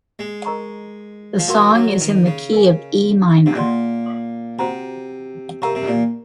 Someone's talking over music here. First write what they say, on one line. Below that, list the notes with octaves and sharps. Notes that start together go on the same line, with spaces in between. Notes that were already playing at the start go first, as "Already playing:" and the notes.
The song is in the key of E minor.
G#3
A#4 D#5 A#5 C#6
F3
F#3 A#4 F5 C6
F#3
D#3
C#3
A#4 D#5 G#5
C3
A#2 G#4 D#5 F#5 C6
C3 F#4 C5 F#5 A#5
C3 A#4 F5 A#5 C#6
C3
A#2